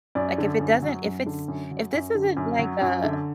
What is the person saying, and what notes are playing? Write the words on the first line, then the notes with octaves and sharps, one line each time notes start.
Like, if it doesn't if it's if this isn't like a
F#2 D5
D3
F#2
F#3
F#2
D3
F#2
F#3
F#2
D3
F#2
F#3
F#2
D3